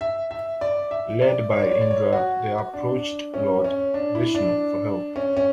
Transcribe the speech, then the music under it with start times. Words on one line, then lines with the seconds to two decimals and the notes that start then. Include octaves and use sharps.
Led by Indra, they approached Lord Vishnu for help.
0.01 E5
0.31 E5
0.61 D5
0.91 E5
1.22 D5
1.52 C#5
1.62 D5
1.71 C#5
1.81 D5
1.91 C#5
2.13 F#4
2.73 D4
3.34 C#4
3.64 C#4
3.94 D4
4.15 E4
4.35 D4
5.16 C#4
5.37 C#4